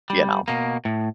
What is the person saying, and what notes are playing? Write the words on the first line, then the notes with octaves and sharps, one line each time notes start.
you know?
G3
B2 A#3
A2